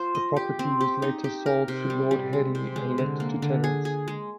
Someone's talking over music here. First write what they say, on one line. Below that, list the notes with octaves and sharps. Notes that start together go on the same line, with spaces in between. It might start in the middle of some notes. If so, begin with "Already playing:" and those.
The property was later sold to Lord Henley and let to tenants.
Already playing: F4 C5
D#5
G4
C4
G4
D#4
G4
A#4
C3
G3
G3
G#3
C3
G#3
D3
A#3
D3
G#4
G#4
G#3